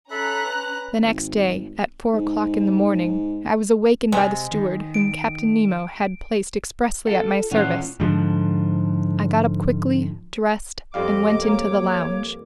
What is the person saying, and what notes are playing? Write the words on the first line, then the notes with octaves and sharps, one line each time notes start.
The next day at four o'clock in the morning, I was awakened by the steward whom Captain Nemo had placed expressly at my service. I got up quickly, dressed, and went into the lounge.
C#4 A4 E5 A#5 B5 F#6
B4
G#1
G#2
C3 G#3
D#3
D7
F4 A4 F#5
A#2 E3 C#4 F4 F#5
G#2 D3 F3
F2 G3 D#5 F5 D6
A#3 C#5